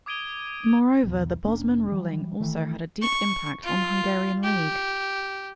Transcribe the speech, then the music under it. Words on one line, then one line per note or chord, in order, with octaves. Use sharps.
Moreover, the Bosman ruling also had a deep impact on the Hungarian League.
D6 D#6 G#6 D7 D#7 G7
B1 E2
F1 A#3 C#4 D4
E3 F#3 G3
D#3 E3 A3
C#6
F4
G4